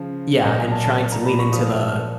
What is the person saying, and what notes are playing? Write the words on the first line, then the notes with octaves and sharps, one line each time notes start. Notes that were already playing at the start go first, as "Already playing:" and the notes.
Yeah, and trying to lean into the
Already playing: C#3 F3
A#2 F#3 D#5
G#5
A5
A5
A5
A#5
B5
C#6
A#2 F3 D#6
E6
F6